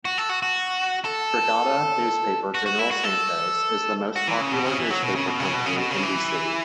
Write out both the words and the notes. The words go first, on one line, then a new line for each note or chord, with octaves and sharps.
Brigada Newspaper General Santos is the most popular newspaper company in the city.
F#4
A4
F#4
F#4
A4
F#4
F#4
E4
F#4
A4
F#4
E3
C#3
B2
C#3
E3
F#3
B2
C#3
B2
C#3
B2
C#3
B2
C#3
E3